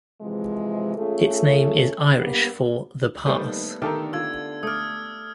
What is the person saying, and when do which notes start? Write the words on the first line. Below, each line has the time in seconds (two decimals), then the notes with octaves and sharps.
Its name is Irish for "the pass".
0.21 C3 E3 F3 G#3
0.97 A3 C#4 F4 G#4 A4
2.16 G2 A#3 B3 G4
3.26 D#2 G3 A3 B3 D4 C5
3.82 D3 D#3 D4 G4 A4 A#4 E5
4.13 D4 F4 E6 G#6
4.63 A3 D5 D#6 F6